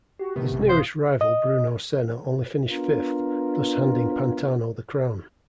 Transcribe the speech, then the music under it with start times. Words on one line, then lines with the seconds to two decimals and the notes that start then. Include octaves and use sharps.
His nearest rival Bruno Senna only finished fifth, thus handing Pantano the crown.
0.19 F#4 G4
0.36 A2 C3 D#3 B3
0.51 A1 F#2 B2
0.69 C5 F5 D#6 C7
1.21 D#5
2.69 B3 D4 F4 A#4